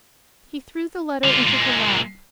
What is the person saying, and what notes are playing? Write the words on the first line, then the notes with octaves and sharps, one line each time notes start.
He threw the letter into her lap.
D3 F4
A#2 G#3